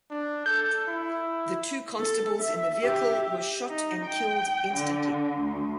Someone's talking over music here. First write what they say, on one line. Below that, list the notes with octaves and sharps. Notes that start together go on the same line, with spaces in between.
The two constables in the vehicle were shot and killed instantly.
D4
A4 G6
E4
A4
E5
G4 E5
D#4
G5
D3
D2